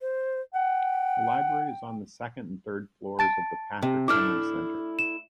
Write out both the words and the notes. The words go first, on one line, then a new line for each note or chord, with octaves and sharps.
The library is on the second and third floors of the Patrick Henry Center.
C5
F#5 G5
A5 A6 D7
C3
A3 D4 E4 D6 F6
E7